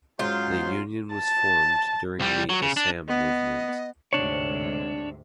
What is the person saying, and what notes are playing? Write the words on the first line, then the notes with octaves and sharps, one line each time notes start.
The union was formed during the Assam movement.
G#2 F#3 C#4 F4 C6 D#6 G6
A5
C2 G3
F#3
C#3
D4
B3 D#5
D2 G#2 C3 D4 C#5